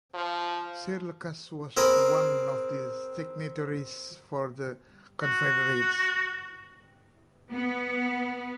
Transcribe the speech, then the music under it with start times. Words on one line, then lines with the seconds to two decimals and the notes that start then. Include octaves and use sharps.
Sir Lucas was one of the signatories for the Confederates.
0.14 F3
1.77 C4 G#4 A#4 C5 B5
5.22 F#4
7.50 B3